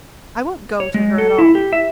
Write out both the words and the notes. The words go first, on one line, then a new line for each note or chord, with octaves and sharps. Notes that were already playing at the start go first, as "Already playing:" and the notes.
I won't go to her at all.
C#5
G#3
A4
E4
G4
E5